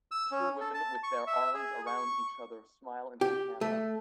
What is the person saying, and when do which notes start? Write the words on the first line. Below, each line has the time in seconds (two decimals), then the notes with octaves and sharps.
Two women with their arms around each other smile into the camera.
0.11 E6
0.31 C#4
0.61 A4
0.74 A5
1.03 C#6
1.27 E5
1.54 G#4
1.87 C#6
3.21 G4
3.61 A3